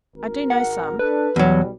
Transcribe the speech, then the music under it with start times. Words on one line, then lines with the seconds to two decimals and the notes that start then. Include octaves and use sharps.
"I do know some."
0.15 G#1 A#4
0.50 F#5
0.99 D4 A4 B4
1.36 B1 E2 B2 F#3 G3